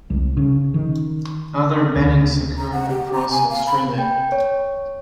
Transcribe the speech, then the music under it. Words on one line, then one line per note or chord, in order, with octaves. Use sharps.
Other bannings occurred across Australia.
C2
C#3
D#3
D2
A#5
F#5
G4
A#5
G#5
F5
B5
G5
C#5